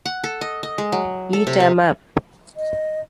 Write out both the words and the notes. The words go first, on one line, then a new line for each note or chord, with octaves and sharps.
Eat 'em up!
F#5
A4
D#5
D#5
G#3
F#3
A4
C3
C4
D#5